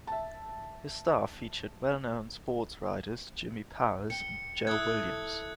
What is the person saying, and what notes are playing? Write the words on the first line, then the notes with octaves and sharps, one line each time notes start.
His staff featured well-known sportswriters Jimmy Powers and Joe Williams.
E5 A5
G5 C#7
E4 A4 D#6 F#6 G#6